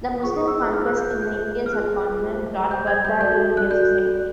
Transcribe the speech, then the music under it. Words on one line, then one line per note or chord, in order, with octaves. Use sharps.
The Muslim conquest in the Indian subcontinent brought purdah to Indian society.
F4 G#4 C5 C#6
D#6
E6
F#6
F4 G#4 C5 F6
F#6
G6
F#6
F4 G#4 C5 G6
F6
F4 G#4 C5 F#6
G4 C5
G4 C5 G6
G#6
G6
F#4 A4 D5 G6
F#6
F#4 A4 D5 G6